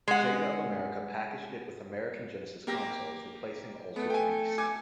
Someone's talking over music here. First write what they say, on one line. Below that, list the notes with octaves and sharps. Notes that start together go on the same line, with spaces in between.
Sega of America packaged it with American Genesis consoles, replacing "Altered Beast".
G#3 F#5
A#3 G4 A#6
A3 B3
G5 G#5
G#5 D6 G#6